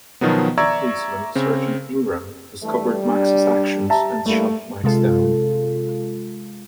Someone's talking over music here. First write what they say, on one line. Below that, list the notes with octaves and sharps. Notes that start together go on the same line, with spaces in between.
A local policeman, Sergeant Ingram, discovered Max's actions and shut Max down.
B2 D#3 F3 F#3 B3
D5 E5 A#5 C#6 E6 G#6
C#3 C4
G2 E3 G3 A3
D4
G4 E5 A5 A#5
G2 G3 A3 A#3 E4
C3 G#3 F4 A4